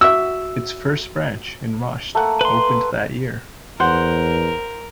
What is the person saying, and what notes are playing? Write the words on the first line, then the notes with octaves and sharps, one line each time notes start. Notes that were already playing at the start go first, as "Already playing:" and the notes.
Its first branch, in Rasht, opened that year.
F#4 E5 E6
A3 A#3 F#5
B4 C6
E2 A#4 C5 F#5